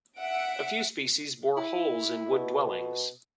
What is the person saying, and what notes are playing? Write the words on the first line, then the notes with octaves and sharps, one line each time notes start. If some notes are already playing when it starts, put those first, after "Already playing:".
A few species bore holes in wood dwellings.
E5 F#5 D7
E4
B2